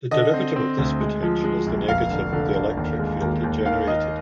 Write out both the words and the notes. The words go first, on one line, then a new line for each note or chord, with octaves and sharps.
The derivative of this potential is the negative of the electric field generated.
D3 D#5
C4
C4
D2
G#3
F3
G#3
A#1
F1 F5
D3
D3
D3
D#2
G#3
D#2
D#2
D#3 F5
D#3 D#5